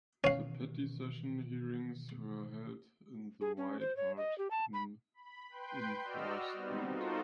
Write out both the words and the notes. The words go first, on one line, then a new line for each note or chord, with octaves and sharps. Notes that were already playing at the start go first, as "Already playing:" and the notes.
The petty session hearings were held in the White Hart Inn in Fore Street.
B2 D#3 E3 C#4 F5
G#4
C#4
C5
C#5
D#5
G4
A5
B5
B5
B4 G5 C6 G6
F#4 D5 D#5 E6 F6
G3 B3 C4 D#4
D#4 F4 F#4 A4 A#4 C5